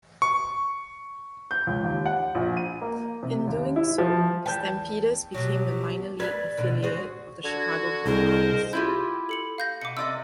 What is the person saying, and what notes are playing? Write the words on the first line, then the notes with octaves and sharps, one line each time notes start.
In doing so, the Stampeders became the minor-league affiliate of the Chicago Black Hawks.
C#6
G6
C#2
D#2
F#5
A#1
D#7
A#3
C3
D#2
E4
F3
E2 B4 G5 A5 G6
B2 F#3 G4
B4 D5 G#6 B6
D#2 B2 D3
F#4 G#4 C5
D3 F#4 G#6
C2 G#4 A#4 C5 D#5
E4 F4 G4 G6
A4 C#7 F#7
F5 G6 A#6
B2 D6 C#7
C3 D5 D#5 E6